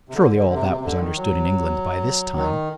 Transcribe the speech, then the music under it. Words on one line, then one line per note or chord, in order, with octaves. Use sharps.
Surely all that was understood in England by this time.
C3
D3
D3
D3
C3
C3
C3
D3
D#3
F#3
D#3